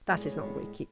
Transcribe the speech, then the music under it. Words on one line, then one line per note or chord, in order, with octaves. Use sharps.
That is not wicked.
A2 G#3 B3 D5
C#5
A2 G#3 B3 C#5